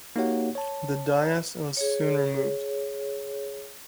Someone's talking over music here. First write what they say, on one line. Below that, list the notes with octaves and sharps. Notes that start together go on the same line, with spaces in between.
The dais was soon removed.
A#3 D#4 F#4 G4 C#5 F#5
C#5 A5
G#4 C#5